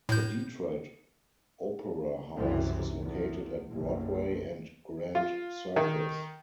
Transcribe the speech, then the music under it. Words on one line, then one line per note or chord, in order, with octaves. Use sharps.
The Detroit Opera House is located at Broadway and Grand Circus.
A2 G6
C2 F#2 C3 E3
E2
F#1 B1
F4
D#3